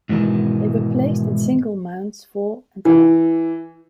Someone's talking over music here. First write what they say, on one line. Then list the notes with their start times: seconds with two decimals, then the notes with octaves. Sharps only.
They were placed in single mounts fore and aft.
0.09 G#2 B2 D#3 E3 G#3 D#4
2.85 E3